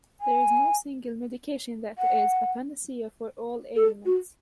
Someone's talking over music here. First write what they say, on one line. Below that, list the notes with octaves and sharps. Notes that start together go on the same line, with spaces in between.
There is no single Medication that is a Panacea for all ailments.
G#5
F#5
A4
F#4